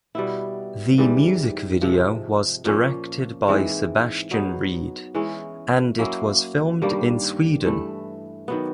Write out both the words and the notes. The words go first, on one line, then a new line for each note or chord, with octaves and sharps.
The music video was directed by Sebastian Reed, and it was filmed in Sweden.
B2 G3 B3 E4
G#2 E3 G3
C3 F3 G#3 C4
A#2 F3 A#3 C#4
G#2 E3 G#3 C4
F#3 B3 D#4 G#4
E3 G#3 C#4
F#3 A#3 C#4 E4
G2 D#3 G3 A#3
G2 E3 A3
D#3 F#3 B3